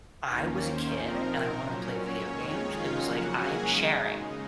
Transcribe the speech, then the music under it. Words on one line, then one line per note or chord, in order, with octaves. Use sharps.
I was a kid and I wanted to play video games, it was like, "I am sharing
D#2 D#3 A#3 C#4
C5
A#2 F3 C4 D#4 A#4
A#2 F#3 C#4 C5
C#4 C#5
F2 D#3 G#3 C#4 D#4 C#5
F4 F5
F2 C#3 F#3 A#3 C#4 F#4 F#5
G#4 G#5
C#3 G#3 D#4